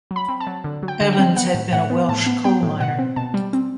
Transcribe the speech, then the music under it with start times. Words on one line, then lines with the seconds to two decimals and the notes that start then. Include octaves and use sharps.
Evans had been a Welsh coal miner.
0.11 F#3
0.16 B5
0.29 C4
0.40 A5
0.47 F#3
0.64 D3
0.83 F#3
0.88 G5
1.01 D3
1.12 G5
1.19 C4
1.36 B3 F#5
1.54 A2
1.73 A2 F#5
1.90 B3
2.09 A2 A5
2.26 B3
2.44 B3 G5
2.63 A2
2.80 B2 F#5
2.99 C4
3.16 B2 A5
3.34 G3
3.53 C4